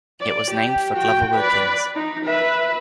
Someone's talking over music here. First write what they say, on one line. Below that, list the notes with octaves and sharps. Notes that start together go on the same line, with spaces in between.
It was named for Glover Wilkins.
D5
G4
F#4 G5
B4 D5
D#4
B4 E5